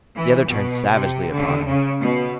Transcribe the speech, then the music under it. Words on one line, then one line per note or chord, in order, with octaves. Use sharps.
The other turned savagely upon him.
E3
B2
C3
D3
C#3
B2